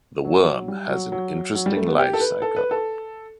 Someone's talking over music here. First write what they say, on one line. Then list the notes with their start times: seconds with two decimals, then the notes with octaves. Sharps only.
The worm has an interesting lifecycle.
0.25 F#3
0.46 F#3
0.68 G3
0.90 F#3
1.12 F#3
1.55 F#3
1.66 G3
1.76 A3
1.88 B3
1.98 G4
2.13 A4
2.20 B4
2.42 A4
2.56 B4
2.71 A4